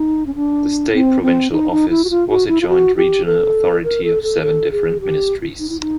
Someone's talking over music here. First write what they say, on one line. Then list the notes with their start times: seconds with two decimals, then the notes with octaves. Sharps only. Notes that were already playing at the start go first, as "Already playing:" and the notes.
The State Provincial Office was a joint regional authority of seven different ministries.
Already playing: D#4
0.26 C#4
0.35 D4
0.94 C4
1.22 C4
1.51 D#4
1.72 D#4
1.90 E4
2.05 F#4
2.10 F4
2.29 F#4
2.48 E4
2.61 F4
2.68 F#4
2.96 G4
3.25 A4
3.84 A#4
4.04 A4
4.23 A4
4.42 A4
4.71 G#4
5.01 G4
5.59 D#4
5.69 E4
5.80 D#4